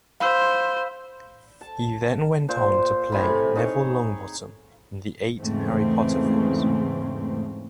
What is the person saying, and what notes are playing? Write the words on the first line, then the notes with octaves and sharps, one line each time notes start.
He then went on to play Neville Longbottom in the eight Harry Potter films.
C5 F5 B5 E6
A5
A#2 C5
A2 C3 G#5 B5
D#4 G#4 C#5
E2 G#2 C#3 E3 A3 C4